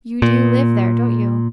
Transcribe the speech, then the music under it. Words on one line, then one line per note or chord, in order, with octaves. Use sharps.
You do live there, don't you?
A#2